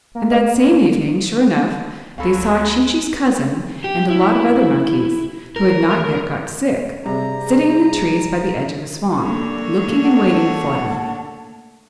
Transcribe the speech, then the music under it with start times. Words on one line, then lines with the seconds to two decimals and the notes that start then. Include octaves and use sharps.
And that same evening, sure enough, they saw Chee-Chee's cousin and a lot of other monkeys, who had not yet got sick, sitting in the trees by the edge of a swamp, looking and waiting for them.
0.15 A#3
0.30 B4 D#5 F5
0.64 B4
2.18 D2 D3 F#3 C#4 A4 F5 B5
3.84 G4
4.10 E4
5.56 A#4
7.06 G2 C3 G#4 A#5
9.20 A3 A#3 D4 C#5
10.04 F#5 A5